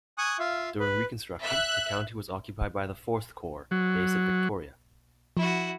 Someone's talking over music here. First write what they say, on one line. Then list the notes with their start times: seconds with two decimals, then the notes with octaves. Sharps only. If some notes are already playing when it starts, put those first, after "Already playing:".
During Reconstruction, the county was occupied by the Fourth Corps, based at Victoria.
0.18 G#5 C#6 D#6 F#6
0.39 F4 E5 F5
0.80 B4
1.43 E5 F#6
3.71 F#3
5.37 F3 E4 F#4